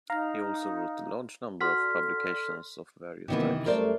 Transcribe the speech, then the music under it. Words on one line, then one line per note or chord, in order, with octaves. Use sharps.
He also wrote a large number of publications of various types.
D#4 F5 A#5
F#4 A4 D5 C6 F6 B6
F#2 C3 D#3 E3 A#3 B3
F#2 G3 A3 A#4 C5 D5